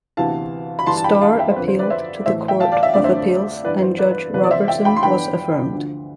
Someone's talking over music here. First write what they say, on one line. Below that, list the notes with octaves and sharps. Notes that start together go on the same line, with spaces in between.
Starr appealed to the Court of Appeals and Judge Robertson was affirmed.
D2 C3 E3 B3 E4 F5 A5
B5
G2 E3 G3 D4 A5 C6
A5
G5 B5
F5 A5
E5 G5
C5
F2 D3 F3 B4
C5
B4 D5
C5 E5
A2 E3 A3 C5 E5
E5 G5
F5 A5
D5 F5
E5
F2 D3 A3 D4 D5
C5 E5
G2 E3 B3 E4 B4 D5
C5
B4 D5
B4
C3 E3 B3 B4 D5
D5
C5 E5
E5 G5
G5 B5
C6
G2 E3 B3 D4 G5 B5
D2 D3 F3